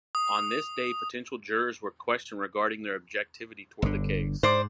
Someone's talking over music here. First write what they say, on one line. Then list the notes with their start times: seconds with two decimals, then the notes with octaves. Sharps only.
On this day potential jurors were questioned regarding their objectivity towards the case.
0.15 D#6
3.82 G1 D3
4.43 G#2 C5 D5